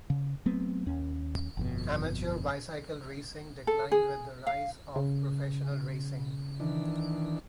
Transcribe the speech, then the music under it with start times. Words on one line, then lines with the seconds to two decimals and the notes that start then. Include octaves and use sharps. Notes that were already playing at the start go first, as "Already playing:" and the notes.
Amateur bicycle racing declined with the rise of professional racing.
0.10 C#3
0.46 F#3 A3 B3 C4
0.86 D#2 C#4
1.57 G1 F2 B2
3.67 A4
3.92 G#4
4.47 F5
4.96 C#3
6.60 D#3 E3 D4